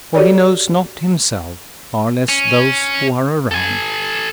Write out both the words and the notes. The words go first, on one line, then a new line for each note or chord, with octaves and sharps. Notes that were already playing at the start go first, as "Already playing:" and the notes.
For he knows not himself--far less those who are around.
F#4 G4 A4 C#5 D5
C#4
A4 G#5